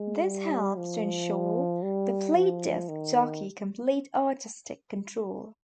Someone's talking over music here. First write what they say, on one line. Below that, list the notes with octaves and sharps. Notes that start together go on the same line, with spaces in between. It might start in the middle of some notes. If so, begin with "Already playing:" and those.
This helps to ensure the Fleet disk jockey complete artistic control.
Already playing: G#3
G3
F3
G3
F3
D#3